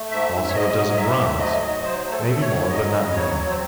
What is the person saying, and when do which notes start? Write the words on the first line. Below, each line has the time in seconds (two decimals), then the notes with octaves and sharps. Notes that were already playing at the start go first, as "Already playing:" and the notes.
Also, a dozen Brons. Maybe more, but not many.
Already playing: A3
0.11 G#2 E5
0.32 G#2
0.49 C#5
0.54 G#2 D#5
0.75 F#3
0.96 G#2 E5
1.18 A3
1.40 F#3 D#5
1.61 G#2
1.83 F#3 C5
2.04 A3
2.12 A4
2.21 G#4
2.26 A3 A4
2.41 C#5
2.48 G#2
2.69 F#3 D#5
2.91 C#3
3.12 F#3 C#5
3.34 C4
3.50 C5